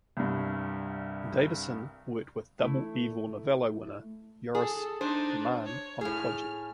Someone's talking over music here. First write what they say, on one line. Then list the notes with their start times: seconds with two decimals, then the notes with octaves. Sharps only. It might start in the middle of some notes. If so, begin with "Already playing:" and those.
Davison worked with double Ivor Novello winner Joris de Man on the project.
0.17 C2 G2
2.59 A3 E4
4.55 G#4 A4
5.01 D4 D#4 C5
5.65 C#5
6.01 A2 G#4 F6